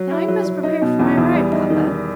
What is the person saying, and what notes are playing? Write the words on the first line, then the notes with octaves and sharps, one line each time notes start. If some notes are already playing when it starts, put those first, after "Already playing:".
Now I must prepare for my ride, papa.
Already playing: F#3
E4
F#3
F#3
D#4
B2
E2
E2
G3
D#4
D#3
D#3